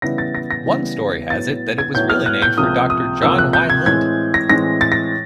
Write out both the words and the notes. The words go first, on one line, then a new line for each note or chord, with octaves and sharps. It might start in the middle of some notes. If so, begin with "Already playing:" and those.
One story has it that it was really named for Doctor John Y. Lind.
C#3 E3 G3 B3 E4 A#6
A6
A#6
A#6
C#3 E3 G3 B3 E4
A2 F#3 B3 A6
G#6
A2 F#3 B3 G6
F6
F#6
G6
C#2 C3 F3 A#3 D#6
D#6
C#2 C3 F3 A#3 E6
F#6
G6
G#6
A2 E3 G#3 C4 G#6
A#6
A2 E3 G#3 C4 A#6
A6
A#6